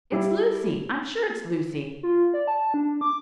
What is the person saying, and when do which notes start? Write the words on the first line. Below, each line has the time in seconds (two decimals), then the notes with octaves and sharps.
It's Lucy--I'm sure it's Lucy!
0.12 G3 E4
2.03 F4
2.34 D5
2.47 A5
2.74 D4
3.01 D6